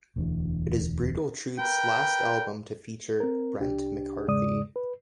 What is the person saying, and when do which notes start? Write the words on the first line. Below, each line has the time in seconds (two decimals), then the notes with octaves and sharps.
It is Brutal Truth's last album to feature Brent McCarthy.
0.16 E1 D2 D3 E3
1.59 A#4 B4 G5
3.20 C4 A#4
3.60 C2 D4 G4
4.27 E2 G#2 C#3 G#3 D5 D#6
4.76 B4